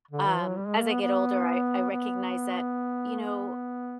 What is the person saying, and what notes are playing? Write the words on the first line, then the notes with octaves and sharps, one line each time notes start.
um, as I get older, I I recognize that, you know,
D3
E3
F#3
G3
G#3
A#3
B3
B3
B3
A#3
B3